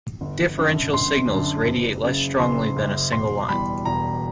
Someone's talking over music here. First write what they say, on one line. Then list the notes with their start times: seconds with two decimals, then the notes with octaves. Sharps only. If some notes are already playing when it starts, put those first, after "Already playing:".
Differential signals radiate less strongly than a single line.
0.21 G1
0.57 F#2 D3
0.93 G1 C6
1.29 F#2 D3
1.67 F#1
2.02 F#2 C#3
2.39 F#1 C6
2.76 F#2 C#3
3.12 E1 C6
3.49 E2 B2 G3 B5
3.85 E1 A#5